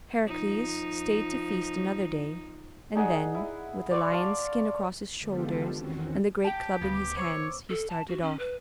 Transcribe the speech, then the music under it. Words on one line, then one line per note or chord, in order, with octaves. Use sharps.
Heracles stayed to feast another day, and then, with the lion's skin across his shoulders and the great club in his hands, he started off.
F3 D#4
D#4 G#4 D#5 F#5
E4
D5 C6 C#6
F5 A5
D3 G#3 B3 F4 G4 A4
E2 D#3 C4 C#4 F#4
G4 G5 A5
D2 C#3 B3
D6
C5 C#5 C#6 E6
A4
A5
F#4
C#4
B4